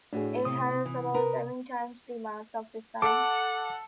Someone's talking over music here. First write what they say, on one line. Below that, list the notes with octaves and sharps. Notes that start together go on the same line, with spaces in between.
It has about seven times the mass of the Sun.
A2 D4 F#4 G#4
C3 D#6
E3
A#4 B4
A4 F#5 D6